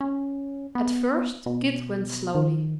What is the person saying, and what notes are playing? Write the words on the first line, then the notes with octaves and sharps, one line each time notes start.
At first Kit went slowly.
C#4
B3
B2
D#3